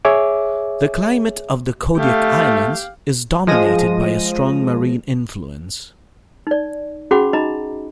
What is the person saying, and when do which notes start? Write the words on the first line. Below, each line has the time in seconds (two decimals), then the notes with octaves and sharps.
The climate of the Kodiak Islands is dominated by a strong marine influence.
0.05 G#4 C#5 E5 D6
1.97 A3 G4 F5
3.47 F3 G#3 A#6 D#7
6.47 D#4 D5
7.11 C#4 F#4 G#4 F#5 B5 D6
7.33 D#4 D#5 A#5 B5